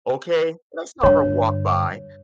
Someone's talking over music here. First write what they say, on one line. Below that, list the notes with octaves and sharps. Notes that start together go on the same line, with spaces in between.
okay, that's not her walk by
G2 D3 C#5